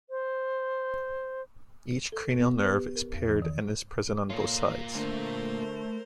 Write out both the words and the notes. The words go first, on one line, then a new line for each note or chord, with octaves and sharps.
Each cranial nerve is paired and is present on both sides.
C5
A4
B3
B3
B4
G4
A#4
E2
E3
D#3
A#3 F4 A4 C#5 F5
D3 A3 A#4 C5